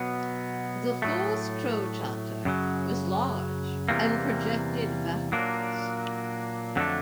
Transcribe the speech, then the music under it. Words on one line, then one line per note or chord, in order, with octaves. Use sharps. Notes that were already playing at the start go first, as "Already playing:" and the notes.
The fourth trochanter was large and projected backwards.
Already playing: B2 F#3 B3
A2 F#3 A3
F#2 C#3 F#3
E2 C3 E3 G3 A#3
A#2 F#3 A#3 D4
F2 D3 F#3 A3 D4